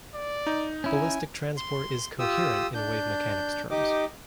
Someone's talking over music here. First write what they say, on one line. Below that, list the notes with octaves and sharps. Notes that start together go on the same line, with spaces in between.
Ballistic transport is coherent in wave mechanics terms.
D5
D#4
C#4 E4 G#5
C6
F4 G4 D#6 E6
D4 G6
D#4 G4 D#5 D6